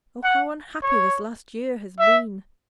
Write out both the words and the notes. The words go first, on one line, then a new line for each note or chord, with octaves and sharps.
Oh, how unhappy this last year has been!
F#5
C#5
E5